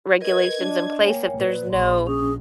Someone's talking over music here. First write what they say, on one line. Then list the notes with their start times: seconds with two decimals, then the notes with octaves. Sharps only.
regulations in place if there's no,
0.21 A#4 B4 D#5 G#6
0.59 D4 D#5
1.02 A#3 C#5 G5 G#5
1.38 A#2 B4 C5 D5
1.72 A#1 C6
2.07 C#4 G#4